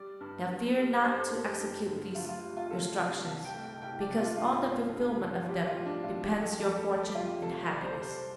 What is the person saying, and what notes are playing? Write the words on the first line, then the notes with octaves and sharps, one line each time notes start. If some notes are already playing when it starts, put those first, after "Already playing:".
Now fear not to execute these instructions, because on the fulfilment of them depends your fortune and happiness.
Already playing: G3 D5
G2
G2
G3
G2 C5
A4
A3
G4
G2
D3
D2 F4
F4
G3
F4
D2 A4
C3 F5
C2 A5
G5
A3
G5
C2 G5
D5
C3
F4
G2 F4
A3
G2
F3
G3 G4
F4
A2
D4
A2 F4
G4
G3
A4
F2 G4
A4
A3
G4
F2 F4
C3 A4
C2 D5
C5
A4
G3 C5